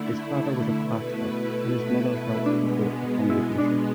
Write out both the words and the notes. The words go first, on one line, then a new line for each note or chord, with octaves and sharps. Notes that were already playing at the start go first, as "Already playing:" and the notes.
His father was a pastor and his mother helped support the congregation.
Already playing: D3 A3 E4
B2 A3 E4 B4
B2 G#3 B3 D4
E4
D4